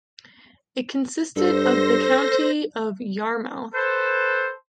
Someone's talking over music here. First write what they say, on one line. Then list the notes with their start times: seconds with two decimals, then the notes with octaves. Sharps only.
It consisted of the County of Yarmouth.
1.36 G2 A4 C5 A#6
3.74 A4 B4 C5